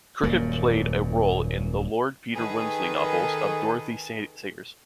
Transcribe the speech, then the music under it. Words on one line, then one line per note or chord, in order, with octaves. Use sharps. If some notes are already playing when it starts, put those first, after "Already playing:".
Cricket played a role in the Lord Peter Wimsey novels of Dorothy Sayers.
D#1 F#2 A#2 A#3
D#3 G#4 A4 B4